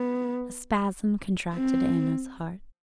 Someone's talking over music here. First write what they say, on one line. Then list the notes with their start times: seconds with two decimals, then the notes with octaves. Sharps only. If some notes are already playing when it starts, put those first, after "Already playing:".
A spasm contracted Anna's heart.
Already playing: B3
1.54 C4